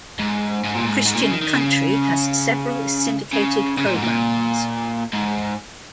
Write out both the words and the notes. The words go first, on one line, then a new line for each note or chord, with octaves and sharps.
Christian country has several syndicated programs.
G#2
G#2
A#2
G#2
G#2
A#2
C#3
D#3
D#3
C#3
C#3
C#3
A#2
G#2
A#2
G#2